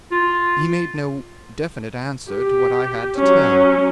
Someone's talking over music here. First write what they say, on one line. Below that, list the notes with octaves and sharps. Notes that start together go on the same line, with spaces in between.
He made no definite answer to what I had to tell.
F4
G4
F#3 C#4